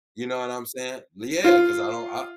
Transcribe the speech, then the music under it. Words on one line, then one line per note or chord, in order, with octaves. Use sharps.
You know what I'm saying? L yeah, 'cause I don't I
F4